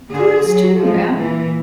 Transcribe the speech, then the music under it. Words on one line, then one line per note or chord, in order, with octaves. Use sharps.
Kudos to you man.
D3 G#4
F#3
F3 G#3
A#2 E3